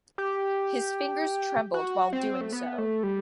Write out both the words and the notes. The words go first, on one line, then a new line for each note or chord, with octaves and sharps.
His fingers trembled while doing so.
G4
F#4
C4
A3
B3
A3
G3